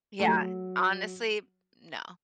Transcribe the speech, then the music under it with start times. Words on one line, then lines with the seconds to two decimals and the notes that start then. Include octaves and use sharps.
Yeah. Honestly, no.
0.20 A3
0.28 F#3